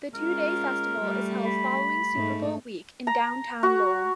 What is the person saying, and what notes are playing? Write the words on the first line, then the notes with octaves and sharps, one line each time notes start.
The two-day festival is held following Super Bowl week in downtown Lowell.
G#3 C#4 F4 A#4
G3 A3
B5
G#2 A3 D#4
A#5
F#4